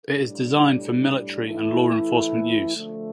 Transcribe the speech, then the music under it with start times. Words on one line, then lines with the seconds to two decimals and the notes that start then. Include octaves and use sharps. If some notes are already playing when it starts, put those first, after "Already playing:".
It is designed for military and law enforcement use.
0.14 A2 G3 D4
1.45 E3 A3 E4 A4
2.75 D3 F3 A3